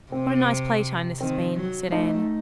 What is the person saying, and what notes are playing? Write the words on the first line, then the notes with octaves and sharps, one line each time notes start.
"What a nice play-time this has been," said Anne.
C3 C4
D#3 C4
F#3
A3 D#4